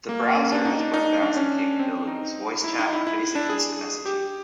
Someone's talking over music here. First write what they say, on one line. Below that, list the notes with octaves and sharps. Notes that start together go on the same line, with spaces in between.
The browser has web browsing capabilities, voice chat, and basic instant messaging.
A#3
C#4
D4
D#4
D4
D#4
D4
C#4
C4
D#4
E4
D#4
E4
E4
D4
G#4
G4